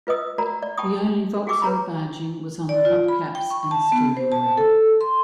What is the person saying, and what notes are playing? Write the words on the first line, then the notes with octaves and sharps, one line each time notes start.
The only Vauxhall badging was on the hub caps and steering wheel.
F4 B4 D#5 D#6 E6
F#4 A#4 D5 A#5 B5
D5
G5 A5 B5 C#6 D#6
F#4 G#4 G5 C#6 D6 E6
B4 C#5 A#5 B5
D5
F4
B5
G5
C#6
A5
B3
C5
A5
A4
C6